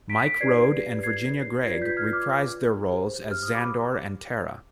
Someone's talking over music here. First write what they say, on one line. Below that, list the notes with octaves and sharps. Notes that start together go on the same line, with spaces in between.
Mike Road and Virginia Gregg reprised their roles as Zandor and Tara.
B6 D7
B6 D7
D#4 G4 B4 D5 G#6 C7
G#6 C7
F4 B4 D5 G#6 C7
G6 B6
F6 G#6
D6 F6
G4 C5
F6
D#6
B5 D6